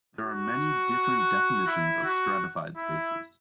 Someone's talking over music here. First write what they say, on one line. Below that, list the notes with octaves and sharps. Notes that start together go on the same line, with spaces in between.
There are many different definitions of stratified spaces.
F#4
E4
F#4
E4